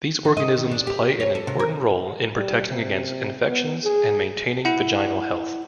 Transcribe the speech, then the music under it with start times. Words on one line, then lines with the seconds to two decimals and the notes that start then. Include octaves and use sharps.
These organisms play an important role in protecting against infections and maintaining vaginal health.
0.25 E3
0.37 D#5
0.57 D#3
0.71 D4
0.87 G4
1.20 C#5
1.35 A4
1.47 C3
1.59 A#4
2.35 G3
2.68 C3
3.47 B3
3.84 G#4
4.65 E4 F#5